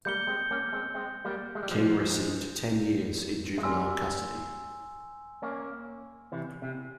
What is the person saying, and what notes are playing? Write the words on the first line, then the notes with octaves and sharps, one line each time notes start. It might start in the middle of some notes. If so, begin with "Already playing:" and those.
King received ten years in juvenile custody.
G3 A#3 G6 C#7 G7
G#3 C4
A#3 C#4
G#3 C4
G#3 C4
G3 A#3
G#3
G3
F3 G#3
G#3
G3 A#3 G#5 C6 E6
A#3 C#4
C3 E3
C3